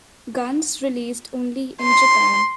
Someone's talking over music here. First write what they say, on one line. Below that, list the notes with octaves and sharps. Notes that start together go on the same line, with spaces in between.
Guns released only in Japan.
C6